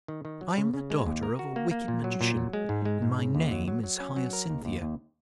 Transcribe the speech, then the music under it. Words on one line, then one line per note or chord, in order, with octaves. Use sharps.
I am the daughter of a wicked magician, and my name is Hyacinthia.
D#3
D#3
F#3
C#3
C#3
G#3
D#2
A#4
F#4
A#3
A#3
A#2
F#3
A#2
F#3
G#3
G#2
G#3
G#2
C#3
D#2
F#3
F#3
F#3
C#4
F#3
A#4
D#2
D#2
D#2